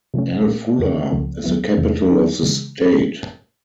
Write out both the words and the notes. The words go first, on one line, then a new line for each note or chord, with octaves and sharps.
Al-Fulah is the capital of the state.
C3 F3 A3 C#4
A#2 G3 A#3
F2 C#3 F#3
C#2 C#3 F3 A3 C4
D2 D3 F#3 B3 E4
E2 C3 E3
D3 F#3 B3 D#4 G4
C#3 E3 G#3